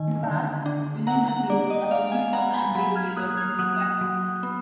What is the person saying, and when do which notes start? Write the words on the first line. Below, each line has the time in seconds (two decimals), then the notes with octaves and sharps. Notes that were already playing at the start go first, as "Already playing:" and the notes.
In the past, Vinyon was used a substitute for plant-based filters in tea bags.
Already playing: D#3 G#5
0.24 D3
0.66 D4
1.07 A#3 F#5 A#5
1.28 F#5 A#5
1.50 D4 D5
1.70 D#5
1.91 G#3 D5 F5
2.12 F5 G#5
2.33 B3 F#5 A#5
2.54 G#5 B5
2.75 F#3 G#5 B5
2.96 F6 G#6
3.17 A#3 D#6 F#6
3.37 F6 G#6
3.49 F6
3.59 F#3 D#6 F#6
4.01 F#3
4.43 B3